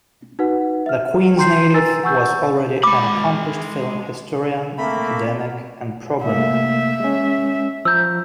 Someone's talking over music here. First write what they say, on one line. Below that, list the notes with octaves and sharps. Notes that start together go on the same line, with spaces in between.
The Queens native was already an accomplished film historian, academic, and programmer.
D#4 F#4 B4 F#5
E5 F6
G5 A#5 C6 G6 C7
B4 G#5 A#5 E6 A6
F#5 G#5 C#6 E6 G6
G#3 B5 D6
A3 A#3 C4 B5
C3 A3 A#3 E5
G#3 C#4
F3 A#5 E6 G6